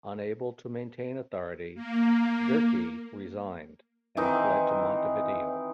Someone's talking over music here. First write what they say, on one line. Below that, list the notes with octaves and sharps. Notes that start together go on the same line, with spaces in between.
Unable to maintain authority, Derqui resigned and fled to Montevideo.
A#3
D#3 E3 C4 D#4